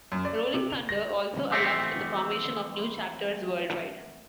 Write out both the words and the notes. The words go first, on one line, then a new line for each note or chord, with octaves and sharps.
Rolling Thunder also allows for the formation of new chapters worldwide.
F#2
D5
C3
F7
A#6
E3 F3 A3 B3 C4 G4